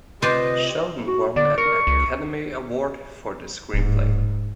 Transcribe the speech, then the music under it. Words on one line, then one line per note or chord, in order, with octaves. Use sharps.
Sheldon won an Academy Award for the screenplay.
C3 C4 F4 B4 C5 D5 D#5
F#4
D3 D5
A#4 C#6
C#2
D1 G#2